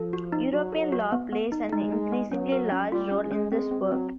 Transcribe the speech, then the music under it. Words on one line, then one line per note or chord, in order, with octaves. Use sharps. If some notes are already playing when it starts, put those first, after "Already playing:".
European law plays an increasingly large role in this work.
Already playing: F3 A4
F#4
D#4
F#3 F#4
A4
F#4
B3
B3
D#4
G#3 D#4
D#4
B3
F#3 C#4
A#4
C#4
G3 F4
C#4
G#3
C#4
G#3 C4
C4
F#3
C4